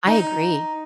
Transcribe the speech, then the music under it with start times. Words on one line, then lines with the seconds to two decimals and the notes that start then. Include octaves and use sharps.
I agree.
0.07 D#4